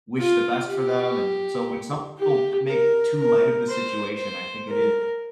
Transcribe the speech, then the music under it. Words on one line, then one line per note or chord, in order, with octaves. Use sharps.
wish the best for them and so, when some people make too light of the situation, I think it is
F4
G4
G4
A#4
A#4
C5
C5
A#4